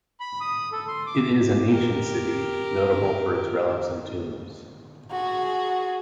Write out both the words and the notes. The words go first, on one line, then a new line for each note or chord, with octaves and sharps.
It is an ancient city, notable for its relics and tombs.
B5
D#6
A4
C6
D6
G4 A#4
F#4 G#4